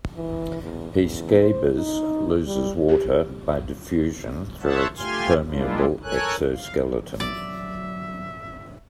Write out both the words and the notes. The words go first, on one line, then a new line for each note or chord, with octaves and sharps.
"P. scabers" loses water by diffusion through its permeable exoskeleton.
E3
E2
E2
C5
D#4
G3
G4
C5 C#5 E5 F#5 A5
A3 F4 G4 G#5 C6 F6
G3 G#3 A#3 D4 E4 F4
A4 A#4 C#5 G#5 F#6
F5
F#3 D5 E5